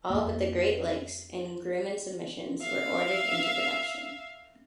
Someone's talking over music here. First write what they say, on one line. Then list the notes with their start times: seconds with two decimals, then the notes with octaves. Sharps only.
All but the Great Lakes and Grumman submissions were ordered into production.
0.10 F2 A#3
2.61 E5 F5